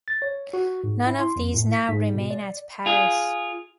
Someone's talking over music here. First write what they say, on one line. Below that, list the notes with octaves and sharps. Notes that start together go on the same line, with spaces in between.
None of these now remain at Paris.
A6
C#5
F#4
G#2
E4
C6
F2
A2
B6
G#2
B2
D5
F4 G#4